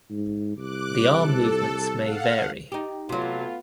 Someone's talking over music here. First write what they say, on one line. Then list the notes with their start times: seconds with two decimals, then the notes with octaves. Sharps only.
The arm movements may vary.
0.10 G#2
0.56 C2 D6 F#6
1.13 A4
1.97 F5 F#5
2.72 D#4 G4
3.09 C3 F#3 A3 B3 F4